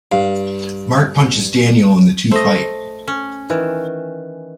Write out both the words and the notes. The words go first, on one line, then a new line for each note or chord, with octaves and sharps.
Mark punches Daniel and the two fight.
G2 F5
A3 C5 D#5
C#4
D#3 E3